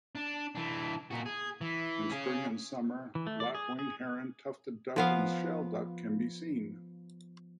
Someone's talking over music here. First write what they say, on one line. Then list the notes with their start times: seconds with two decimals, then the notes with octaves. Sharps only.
In spring and summer, lapwing, heron, tufted duck and shelduck can be seen.
0.15 D4
0.55 E3 D4
1.11 A#2 F#4
1.26 G#4
1.61 E3
2.11 C#4 G#4
3.15 E3
3.27 A3
3.40 D5
3.55 G#4
3.79 G#4
4.96 F3 B3 F5